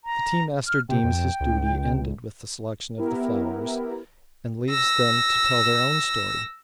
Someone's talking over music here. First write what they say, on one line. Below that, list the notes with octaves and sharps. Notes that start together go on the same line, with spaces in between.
The tea-master deems his duty ended with the selection of the flowers, and leaves them to tell their own story.
A#5
F6
C3 G5
F2
C#2
B3 E4 G4 A#4
E6 A#6